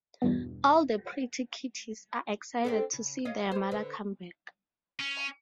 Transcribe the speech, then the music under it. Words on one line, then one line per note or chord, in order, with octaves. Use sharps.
All the pretty kitties are excited to see their mother come back.
E2 G2 B2
C4 D4 A4
C#3
C#5 D#5 F5
G#3 C5
D3 B4
C#4